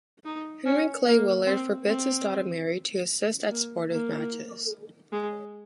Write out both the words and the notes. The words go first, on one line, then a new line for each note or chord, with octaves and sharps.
Henry Clay Willard forbids his daughter Mary to assist at sportive matches.
D#4
C#4
A#3
C4
C4
A#3
A#3
G#3